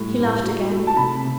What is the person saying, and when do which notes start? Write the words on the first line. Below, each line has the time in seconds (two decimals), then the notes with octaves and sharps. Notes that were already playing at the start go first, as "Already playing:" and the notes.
He laughed again.
Already playing: A2 G3
0.18 A2
0.44 F#3
0.71 A3
0.87 A5
0.96 C3 B5
1.23 C3